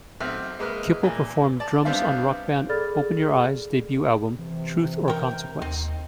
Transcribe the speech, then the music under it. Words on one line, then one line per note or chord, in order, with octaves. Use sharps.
Kippel performed Drums on rock band Open Your Eyes debut album "Truth or Consequence".
B1 C4 C5 E5 F6
G#3 A#3 B4 E5 F6
A#2 E3
D5 A5
G3 B3 C4 D4 E5 F5
G#4 A4 D5 B5 F6 A6
C3 E3
A#4 G5
D#2 C4 D#4